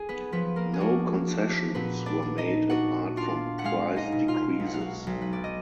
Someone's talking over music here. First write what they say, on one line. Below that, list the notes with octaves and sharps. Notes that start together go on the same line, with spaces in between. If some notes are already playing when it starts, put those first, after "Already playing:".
No concessions were made apart from price decreases.
Already playing: G#4
B3 B4
F3 B3 B4
A#3 A#4
G#4
D4 F#4
D4
A#2 B3 B4
D4 D5
D4
D#4 D#5
D4 F#4 F#5
D4 F4 F5
F#5
G#3 F4 F5
D#4 D#5
B2
F4 F5
B1
F#5
F5
F#4 F#5
B1
B4
D5
D#5